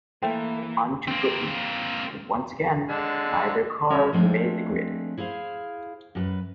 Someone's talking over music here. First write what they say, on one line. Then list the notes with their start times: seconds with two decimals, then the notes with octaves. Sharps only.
On to Britain and once again neither car made the grid.
0.23 E3 A3 A#3 C5 G5
1.08 A#3 C4
2.89 D3 G#3 A5
3.90 G3 C#4 F#4 A#4 C#5 E5
4.13 F3 G#3 A3 C4 D4
5.17 E4 G#4 C5 F5
6.15 F#2 G4 B4